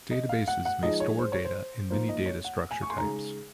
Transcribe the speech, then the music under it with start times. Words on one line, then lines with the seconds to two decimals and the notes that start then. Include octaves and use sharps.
Databases may store data in many data structure types.
0.11 D#5
0.29 F5
0.47 F#5
0.65 F#5
0.83 F3 G#3 D#4 D#5
1.00 C#5
1.18 C5
1.32 C#5
1.45 C5
1.90 F3 A#3 D#4 C5
2.09 D#5
2.26 C#5
2.44 F#5
2.71 G#5
2.82 C#6
2.90 C6
2.98 C#3 G#3 D#4 A#5